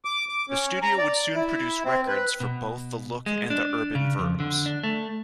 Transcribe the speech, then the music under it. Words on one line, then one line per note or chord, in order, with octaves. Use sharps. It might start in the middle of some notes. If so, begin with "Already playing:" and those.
The studio would soon produce records for both the Look and the Urban Verbs.
D6
D6
C#4
A#5
D5
E4
C4
B4
B2
G#3
D4
C#3
F2
D3
D4
A3